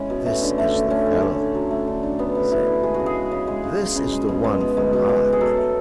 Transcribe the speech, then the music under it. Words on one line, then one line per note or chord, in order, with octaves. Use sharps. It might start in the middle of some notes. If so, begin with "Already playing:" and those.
"This is the fellow," he said, "this is the one for my money."
Already playing: G#3 C#4 E4
B2
A3
D3
A3
D3
A3 C#4
D3
A3
D3
F#3
A3
D3
D3
F#3 B3
A3
D3 E4
D3
G#3 G#4
F#4
C#3
G#4
G#3
C#3
G#3
C#3
G#3
C#3
G#3
B2
G#3
B2
G#3
B2
G#3
B2
G#4
F#3 A4
A3